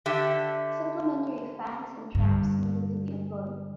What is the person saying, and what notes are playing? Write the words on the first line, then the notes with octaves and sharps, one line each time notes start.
Supplementary fans and traps needed to be employed.
D3 G4 E5
G2 D3